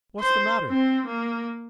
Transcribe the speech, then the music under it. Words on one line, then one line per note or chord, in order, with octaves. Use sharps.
"What's the matter?"
C5
C4
A#3